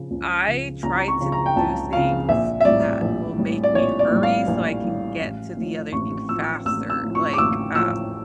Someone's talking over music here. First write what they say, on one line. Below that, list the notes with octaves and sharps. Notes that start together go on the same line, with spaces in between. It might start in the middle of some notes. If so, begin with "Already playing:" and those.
I try to do things that will make me hurry so I can get to the other thing faster. Like, um,
Already playing: C#3 F3
C#2
C#3 F3
C#2 A#5
C#6
C#3 F3
A#5
G5
C#2 A5
C#3 F3 F5
A#1 E5
E5
A2 G3 D5
A#1
A2 G3
D5
A#1 C#5
D5
A2 G3
F5
A#1
A2 G3
A1
A2 F3
A1 C#6
A2 F3 E6
A1 E6
E6
A2 F3
C#6
D6
A1 E6
A2 F3 E6